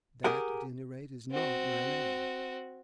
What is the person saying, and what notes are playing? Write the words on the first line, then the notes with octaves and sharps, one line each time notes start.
"That at any rate is not my name."
G4 G#4 A#4 F#5
C4 F#4